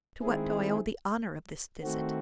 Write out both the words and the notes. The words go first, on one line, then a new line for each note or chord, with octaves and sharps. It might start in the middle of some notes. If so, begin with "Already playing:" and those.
"To what do I owe the honour of this visit?"
D#3 G#3 C4 E4 G#4
D#3 A3 C4 F#4